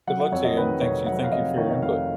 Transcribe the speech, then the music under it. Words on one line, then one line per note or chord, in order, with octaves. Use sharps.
good luck to you, and thanks you thank you for your input.
F#3 F#5
F#5
F2 C#5
D#5
D#3 B4
F1 C#5
F#3 F#5
F5
F2 D#5
D#3 C#5
D#5
F1 F5